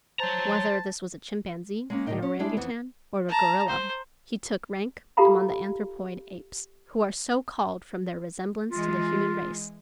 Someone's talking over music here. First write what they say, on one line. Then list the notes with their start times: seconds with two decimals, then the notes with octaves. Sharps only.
Whether this was a chimpanzee, an orangoutang, or a gorilla, he took rank among the anthropoid apes, who are so called from their resemblance to the human race.
0.20 C5 C#5 A5 A#5
1.90 G#3 A#3 C#4
2.06 A2 D3 D#3 G#3 D#4 G5
2.22 C#4
2.39 G3 G#3 D4 E4
2.57 F2 E3 B3
3.29 A5 A#5
3.68 C5
5.17 F4 G4 A4 F5 A#5 B5
8.71 E3 G#3 F4